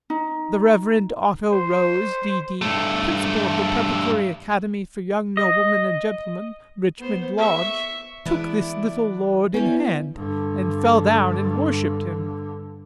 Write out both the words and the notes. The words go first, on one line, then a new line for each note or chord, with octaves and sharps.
The Reverend Otto Rose, D.D., Principal of the Preparatory Academy for young noblemen and gentlemen, Richmond Lodge, took this little Lord in hand, and fell down and worshipped him.
D#4
C5
G2 A3
D#5
B3 C5
E5 C#6
E3 G#3 B3 D4 E4
G3 B3 C#4 E4
G2 D3